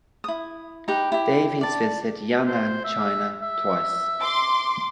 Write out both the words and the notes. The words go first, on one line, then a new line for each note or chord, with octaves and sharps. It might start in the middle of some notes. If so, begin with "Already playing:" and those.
Davies visited Yan'an, China, twice.
E4 D#6
D#4 G4 B4
E4 G4
D5 A5
C5
E5
E5
C6 D6